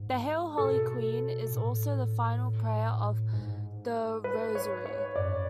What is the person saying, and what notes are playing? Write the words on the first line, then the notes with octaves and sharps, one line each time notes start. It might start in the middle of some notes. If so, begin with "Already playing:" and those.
The "Hail Holy Queen" is also the final prayer of the Rosary.
Already playing: G#2
B2 A4
A2
G#2
B4
C#5
C#5
F#2 D5